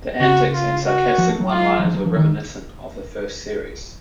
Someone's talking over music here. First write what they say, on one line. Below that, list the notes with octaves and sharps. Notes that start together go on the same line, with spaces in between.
The antics and sarcastic one-liners were reminiscent of the first series.
C#3 F#4
F4
F#4
F3
A3
F#3
F4
F#3
F3
F#3
F3
D#3